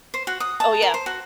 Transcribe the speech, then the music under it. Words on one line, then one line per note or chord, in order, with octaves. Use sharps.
Oh, yeah.
C5
F#4
D#6
A5
A#4
C5
F#4